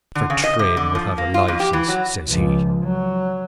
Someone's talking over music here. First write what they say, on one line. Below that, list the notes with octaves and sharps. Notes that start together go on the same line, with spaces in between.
For trading without a licence, says he.
D3
C#3
D#5
C3
D3
F3
A#3
F4
F2
G4
E3
F#3
C#2 F3
F#3